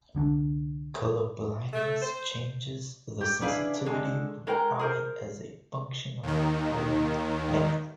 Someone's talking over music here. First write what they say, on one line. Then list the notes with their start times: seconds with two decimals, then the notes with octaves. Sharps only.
Color blindness changes the sensitivity of the eye as a function of wavelength.
0.15 C2 D3 C#4 D4
1.73 A3
2.02 C5
3.21 G4
3.41 C#4 D4 E4 G#4 B4 F5
3.85 D3 G#3 A5
4.47 G#3 A#4 G5 A#5
4.79 G#4 A#4 C5
6.23 D#2 D#3